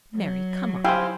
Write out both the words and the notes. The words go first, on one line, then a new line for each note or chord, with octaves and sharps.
Marry, come up!
F#3
E4 G4 C5 F5 G5 G#5